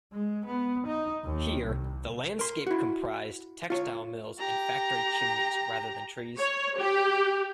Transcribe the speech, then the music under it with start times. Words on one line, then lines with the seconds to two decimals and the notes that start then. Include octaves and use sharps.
Here the landscape comprised textile mills and factory chimneys rather than trees.
0.13 G#3
0.46 B3
0.86 D#4
1.24 D#2
1.64 C2
2.39 A#4 C6
2.67 E4 F#4
3.70 F4 C#5
4.39 G4 A#5
6.38 C#5
6.79 G4